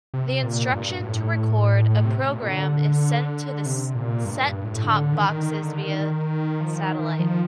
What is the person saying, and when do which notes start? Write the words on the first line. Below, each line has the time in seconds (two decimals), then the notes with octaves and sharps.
The instruction to record a programme is sent to the set-top boxes via satellite.
0.14 C3
0.43 A#2
0.72 G2
1.02 A2
1.90 A2
2.05 C3
2.19 C3
2.34 A#2
2.48 D3
3.66 C3
3.95 A#2
4.25 G2
4.45 G2
4.64 A2
4.84 D3
5.13 D#3
5.42 D#3
5.63 D3
5.82 D#3
6.01 D#3
6.61 F3
6.80 D#3
6.99 D#3
7.19 F3